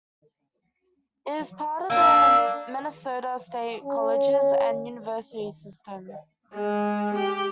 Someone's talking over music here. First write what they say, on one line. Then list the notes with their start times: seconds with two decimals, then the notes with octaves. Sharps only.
It was part of the Minnesota State Colleges and Universities System.
1.90 A#3 D4 E6
3.83 C#4
6.54 G#3
7.15 G4